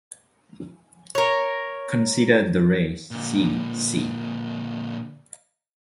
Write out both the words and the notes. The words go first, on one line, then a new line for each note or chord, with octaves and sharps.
Consider the rays "C" "C".
A#4 C#5
A#2 D3